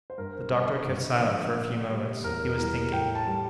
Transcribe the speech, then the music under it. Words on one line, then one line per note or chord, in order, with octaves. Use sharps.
The doctor kept silent for a few moments; he was thinking.
C5
G2 A#4
D3 G3
G2
D3 F3
A#2
G3
E2 A#4
E3 G3 A#4
A2 G5
A5
G3